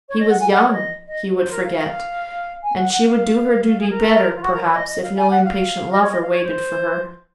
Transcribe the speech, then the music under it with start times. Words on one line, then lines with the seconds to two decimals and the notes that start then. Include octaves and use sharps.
He was young; he would forget; and she would do her duty better, perhaps, if no impatient lover waited for her.
0.09 C#5
0.20 D#5
0.30 F#5
0.40 G#5
0.51 F#5
0.68 C#5
0.73 D#5
1.08 D#5
1.36 C5
1.51 A#4
1.64 F5
2.63 G#5
2.77 F#5
2.92 F#5
3.06 F5
3.80 G#4
3.90 A#4
4.36 F4
4.43 F#4
4.53 A#4
4.64 C#5
4.74 D#5
4.88 D#5
5.03 F5
5.17 G#5
5.30 F#5
5.44 F5
5.92 D#5
6.01 C#5
6.12 D#5
6.22 F5
6.32 C#5
6.43 C5